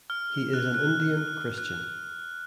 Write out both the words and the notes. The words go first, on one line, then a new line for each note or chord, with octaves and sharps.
He is an Indian Christian.
F6
F#6
F#6
F#6
F#6